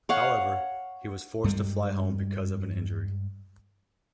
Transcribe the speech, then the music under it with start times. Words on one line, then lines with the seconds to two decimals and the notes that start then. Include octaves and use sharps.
However, he was forced to fly home because of an injury.
0.09 C#5 F5 F#5
1.44 G2 G3 G#3